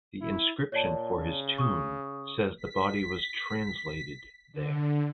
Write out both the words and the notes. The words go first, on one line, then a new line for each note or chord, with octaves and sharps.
The inscription for his tomb says that he body was "translated" there.
E4
A#2 C#5 D5 A5
C#3
C#6 D#6
B6
D3